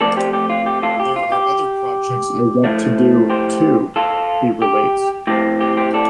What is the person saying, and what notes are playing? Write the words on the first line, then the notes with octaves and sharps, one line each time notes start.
"There are other projects I want to do, too," he relates.
F2 F3 A3 C4 A4 D5
G4 C5
G4
F4
G4
F4 A4
G4
F4
G4
A2 F3 A3
G4 C5
F4 A4
G4
A2 F3 C4 G4
G4
G4 C5
A4 D5